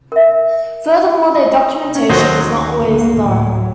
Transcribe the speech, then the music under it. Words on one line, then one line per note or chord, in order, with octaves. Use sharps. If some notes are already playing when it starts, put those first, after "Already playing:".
Furthermore, their documentation is not always thorough.
A#4 E5
D#5
C#4
D#2 F#3 C5 D#5
D2 D3 A#3
A2 F#3